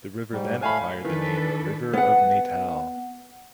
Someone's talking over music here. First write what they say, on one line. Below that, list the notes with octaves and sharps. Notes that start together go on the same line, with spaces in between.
The river then acquired the name "River of Natal".
G#2 G3
A2 A3 F5 G#5 B5
D#3 E3 D4 A4 B4
B3 F#5